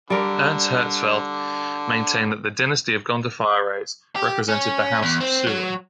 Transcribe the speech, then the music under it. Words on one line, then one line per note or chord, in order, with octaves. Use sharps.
Ernst Herzfeld maintained that the dynasty of Gondophares represented the House of Suren.
D3 G3 A#4
G4
C#4
E2
C4
F#3